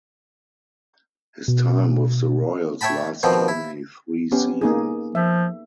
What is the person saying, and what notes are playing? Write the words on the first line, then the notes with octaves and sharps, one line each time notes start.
His time with the Royals lasted only three seasons.
B2
C#5 E5 G5 A5 B5
B2 D#3 F3 C4
E4
B3 C#4 G4
A#3 D#4 G#4
F3 E5